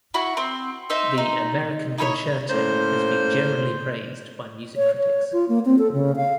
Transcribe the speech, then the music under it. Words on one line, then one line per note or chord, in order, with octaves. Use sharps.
The "American Concerto" has been generally praised by music critics.
E4 F#4
C4
D#4 C5 E5
D#4
D#4 E4 A4 C#5
A2 A#3 C#4 C5
C#5
C#5
F4
A#3
C4
A4
C#3
F5